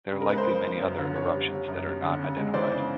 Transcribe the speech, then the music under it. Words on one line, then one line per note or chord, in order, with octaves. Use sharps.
There are likely many other eruptions that are not identified.
C#3
A#4
G#3 B4
A#4 C5
F3
F3
F#2
D3
D3 B4 C#5
G3
G3
F#2
G3
D3
C#3
G#3
E3 C5 D5
C#3